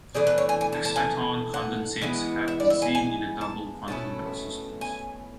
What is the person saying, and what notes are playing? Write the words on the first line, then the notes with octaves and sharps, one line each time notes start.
Exciton condensates have been seen in a double quantum well systems.
E3 A3 D4 G#4
B4
C#5
G#5
G#5
A5
A5
G#5
F#5
E3 G#3 B3 E4
E5
D5
E5
G#5
G#5
A5
B2 A3 C#4 E4 A5
G#5